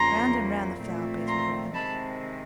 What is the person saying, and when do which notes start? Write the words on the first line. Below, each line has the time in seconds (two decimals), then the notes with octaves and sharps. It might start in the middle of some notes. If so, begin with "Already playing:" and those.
Round and round the flower-beds we ran.
Already playing: E2 C#3 F3 A#3 A#5 C6
0.79 A#2 F3 A3 C4
1.27 A#5 C6
1.73 C3 D#3 G#3 C4 A5 B5